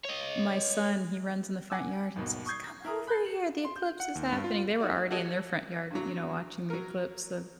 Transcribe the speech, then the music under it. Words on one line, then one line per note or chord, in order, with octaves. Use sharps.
my son, he runs in the front yard and says, "Come over here, the eclipse is happening." They were already in their front yard, you know, watching the eclipse, so
C#5 D#5
F#5 G#5 D6 E6
G#1 D#2 B2
C#6 D#6 G6 G#6 C7
E4 A#4 D#6
B5 F#6 G6 A6 C7
C#7 F#7
C6
G6
F#5
D#2
G2
F4
D#4 F#4 D5 E5
F#4 G4 A4 C#5 D#5 F#5
G2 D3 F#3
F#3 A#4